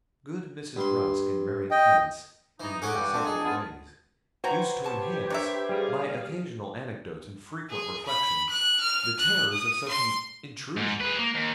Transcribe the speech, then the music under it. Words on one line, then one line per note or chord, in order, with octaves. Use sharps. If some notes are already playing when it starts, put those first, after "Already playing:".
Good Mrs. Rusk and Mary Quince, in their several ways, used to enhance, by occasional anecdotes and frequent reflections, the terrors of such an intrusion.
G2 C6
D#5 G5
E3 D#4
C#4 F#4 G#4 A4 F#5 G#5 D6
E2 G2 G5
A3 C4 D4
D#4 G#4 A4
B3 F4 G#4
E3 F#3 F#4 B4 C5 G5 A#5 G#6
G4 C#5 A5
D4 A#4 C#5 E5
G3 G4 G#4 F5
G#4
B5
F#6
F6
F#6
D#6
C6
G#2
G#4 B4
A#3
D#2